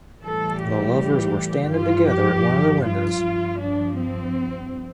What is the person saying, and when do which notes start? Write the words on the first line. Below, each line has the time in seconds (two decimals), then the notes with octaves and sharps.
The lovers were standing together at one of the windows.
0.22 A2 E3 G3 A4
0.60 G4
1.72 G2 F3 F4
2.10 G4
2.85 F4
3.22 G2 F3
3.59 D4
3.97 C4